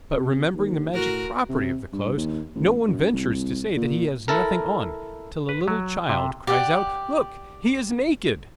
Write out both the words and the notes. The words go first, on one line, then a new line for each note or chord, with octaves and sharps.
But remembering the magic property of the clothes, no one ventures to say that he has nothing on till a little child cries out: "Look, he is naked!"
C3
D#2
A2 F#4 A#4
C3
G2
D#2
A1
F#2
C2
A#2
E4 A4 A#4
B4
F#3
C3
G4 D5 F#5